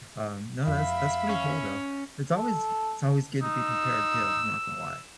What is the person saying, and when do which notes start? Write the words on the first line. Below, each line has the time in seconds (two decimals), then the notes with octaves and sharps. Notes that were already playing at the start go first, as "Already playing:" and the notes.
um, no, that's that's pretty cool, though. It's always g it's always good to be prepared too, I'm not gonna lie
0.68 F2 E5 F5 B5
1.29 C#4
2.36 A4
3.42 D#4 E6